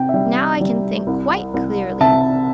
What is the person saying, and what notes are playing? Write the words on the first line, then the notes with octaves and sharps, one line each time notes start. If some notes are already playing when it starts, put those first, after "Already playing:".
"Now I can think quite clearly."
Already playing: C3 G5
E5
G3 G5
G3
C2
C2
C3 E5 A5